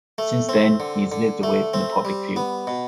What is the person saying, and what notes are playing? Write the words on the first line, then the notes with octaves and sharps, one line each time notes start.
Since then, he has lived away from the public view.
A3
C4
D3
D3
A3
C4
G3
B3
B2